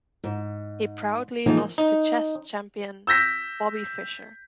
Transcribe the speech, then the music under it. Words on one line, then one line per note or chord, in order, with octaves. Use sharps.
He proudly lost to chess champion Bobby Fischer.
G#2
E3 F3 A#3 D#4
D#4
E6 G6 A#6 B6